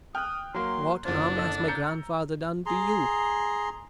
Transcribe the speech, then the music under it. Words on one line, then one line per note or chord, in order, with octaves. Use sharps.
What harm has my grandfather done to you?
G5 D#6 F6 F#6
F#3 A#3 C6
F#1 D4 F4 C5
A4 D#5 E6
A#5 G6 C#7
G#4 A#5 C6